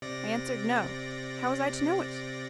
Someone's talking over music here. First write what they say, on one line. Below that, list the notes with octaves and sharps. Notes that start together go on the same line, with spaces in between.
I answered, No; how was I to know it?
C3 D5 A#6